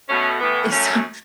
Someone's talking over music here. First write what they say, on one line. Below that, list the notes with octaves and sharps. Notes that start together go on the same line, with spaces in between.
Eh, some
B2 A3 C#4
A2 E3 A3 B3
F#2 F#3 A3 C#4